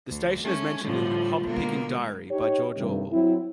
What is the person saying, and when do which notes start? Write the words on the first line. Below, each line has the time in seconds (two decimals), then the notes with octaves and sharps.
The station is mentioned in 'Hop Picking Diary' by George Orwell.
0.10 D2
0.43 G#3 A3 C#4
0.84 A2 D3 F3 G3 A3
1.46 B2 D3 G#3 A#3
2.31 D#4 G4 C#5
2.77 G2 C3 D#3 A3
3.12 F#3 C4 E4